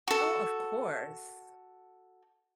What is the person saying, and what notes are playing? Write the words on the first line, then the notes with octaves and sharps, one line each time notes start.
Oh, of course.
F#4 A4